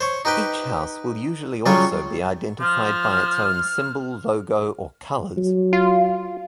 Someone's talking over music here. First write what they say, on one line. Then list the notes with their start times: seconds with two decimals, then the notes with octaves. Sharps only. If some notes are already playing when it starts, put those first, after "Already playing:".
Each house will usually also be identified by its own symbol, logo, or colours.
0.01 C5 C#5
0.25 D#4 G4 B4 G5
1.66 C#3 F#3 G3 F4 C#5
2.61 F3 F6
5.37 F#3
5.73 F4